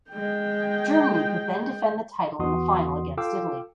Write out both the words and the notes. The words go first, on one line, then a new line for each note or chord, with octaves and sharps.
Germany could then defend the title in the final against Italy.
G#3 G5
E2 E3 F#4 C6 D#6
F4 A4 F5 G5 D6 E6